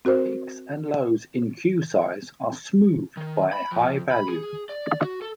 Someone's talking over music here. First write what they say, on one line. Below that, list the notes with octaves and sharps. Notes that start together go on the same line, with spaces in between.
Peaks and lows in queue size are smoothed by a high value.
C4 F#4 A#4 C5
D#3
B5
F2
B5
G#4
D5
F#4
A4